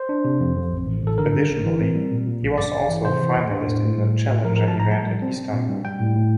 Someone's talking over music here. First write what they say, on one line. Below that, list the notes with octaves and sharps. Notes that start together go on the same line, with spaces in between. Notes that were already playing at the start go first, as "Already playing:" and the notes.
Additionally, he was also a finalist in a challenger event at Istanbul.
Already playing: C5
D4
C3
F2
F2
A1
A1
A1 A4
D3 A#4
G2
G1
E3
C4
G3
A#2
A#2
A#1
G2 D5
A1
E3
C3 C5
E3
E2
D4
A2
A2
G3
A2
A2
F3 A#4
A#4
F3
A5
A2 A#5
G3 A5
G3
C4
C4
A#2
G3
G3 G5
A2
A2